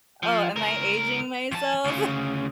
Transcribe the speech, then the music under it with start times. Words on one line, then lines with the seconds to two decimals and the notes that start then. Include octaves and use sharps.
Oh, am I aging myself?
0.23 F3
0.56 C#2 A#4
1.51 F2 A5
1.85 D2 C#3